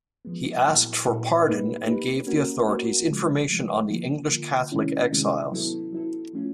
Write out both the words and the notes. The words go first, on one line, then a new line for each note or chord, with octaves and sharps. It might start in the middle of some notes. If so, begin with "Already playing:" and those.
He asked for pardon and gave the authorities information on the English Catholic exiles.
F3 G#3 B3
A#2 F#3 B3 E4 A4
A#2 F#3 B3 E4 A4
A#3 D#4 G4 B4
A#3 D#4 G4 B4
A#3 C#4 F#4 A#4
A#3 C#4 F#4 A#4
C#3 F3 G#3
C#3 F3 G#3
D3 F3 A#3
D3 F3 A#3
C3 D#3 G#3 C#4 E4
C3 D#3 G#3 C#4 E4
F#3 B3 E4 A4
F#3 B3 E4 A4
F3 A3 C#4 F4